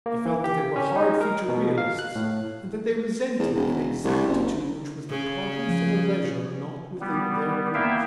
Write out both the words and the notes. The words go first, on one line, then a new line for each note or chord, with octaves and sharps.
He felt that they were hard-featured realists and that they resented an exactitude which was the produce of a leisure not within their reach.
A#3
E3
G4
C#4
D#4
A#4
B2
F5
F#6
A2
E2
E1
C2
F#1
C#3
F3
G3 B3
A#3 B3 E4 E5 F5 G5